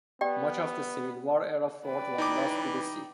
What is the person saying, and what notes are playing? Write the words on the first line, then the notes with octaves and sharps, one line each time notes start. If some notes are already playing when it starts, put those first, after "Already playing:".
Much of the civil war era fort was lost to the sea.
B3 G4 D5 G5
B4 D5 G5
E3 D#4 D6